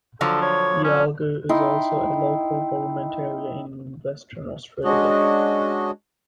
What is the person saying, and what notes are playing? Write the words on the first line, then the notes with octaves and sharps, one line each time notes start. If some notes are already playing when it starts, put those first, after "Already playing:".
Yalgoo is also a local government area in Western Australia.
D3 F3 F#3 A4
C#5
C#4
D#4 E4 G5 C6
G#3 C#4 D4 F#4 D#5